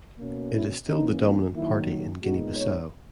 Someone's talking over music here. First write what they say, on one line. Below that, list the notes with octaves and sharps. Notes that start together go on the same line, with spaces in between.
It is still the dominant party in Guinea-Bissau.
B2 A#3 C#4
E4
E3 A#3 C#4 D#4
D#3 F#3 A#3 E4
A#2 G#3 B3 D#4 F#4
C#5